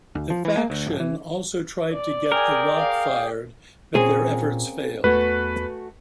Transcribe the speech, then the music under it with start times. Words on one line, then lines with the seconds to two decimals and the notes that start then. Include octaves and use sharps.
The Faction also tried to get The Rock fired, but their efforts failed.
0.15 D2
0.30 F3
0.45 E3
0.57 A#3
0.70 D2
0.87 D1
1.00 E3
1.91 D5
2.32 G#4 A#4 G5 G#5
2.76 F5
3.95 A#2 A#3 C4 C#4 G#4
5.04 E2 A3 F#4 B4 G#5